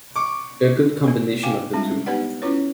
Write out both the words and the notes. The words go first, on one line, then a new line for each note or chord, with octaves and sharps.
A good combination of the two.
C#6 D6
B3
F5 G5 G#5 D6
G3 G#3 C4 D4 F4
B3 D#4 G4 B4 D5 F#5
C#4 E4 F4 B4 C#5